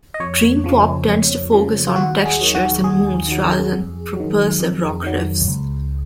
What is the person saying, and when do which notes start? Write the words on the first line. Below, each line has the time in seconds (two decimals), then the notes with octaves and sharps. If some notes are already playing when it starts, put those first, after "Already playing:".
Dream pop tends to focus on textures and moods rather than propulsive rock riffs.
0.14 D#5
0.20 F2 C#5
0.64 C#3 F3
1.08 F2
1.52 C#3 F3
1.87 F4
1.96 D#2 F#4
2.26 G#4
2.40 D#3 F#3
2.55 F#4
2.84 D#2 G#4
3.28 D#3 F#3
3.72 F2
4.16 D#3 F#3
4.60 F2
5.03 D#3 F#3
5.48 C#2